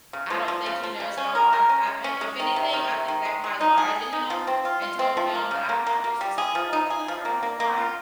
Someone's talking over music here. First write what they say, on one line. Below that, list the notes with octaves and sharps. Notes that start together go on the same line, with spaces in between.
I don't think he knows at all, I I i if anything, I think they probably lied to him and told him that I d I just decided to walk out the door, don't know why.
C#3
F3
F3
C#3
F3
C#3
C#4
A#4
A#4
C#4
G#3
C#4
G#3
D#3
C3
D#3
C3
D#3
G#3
G#3
D#4
G#4
G#4
D#4
F3
C4
F4
F4
C4
F3
A#3
C#3
A#3
A#3
A#3
G3
G#4
F3
D#4
G#4
F3
A#3
A#3
A#3
F4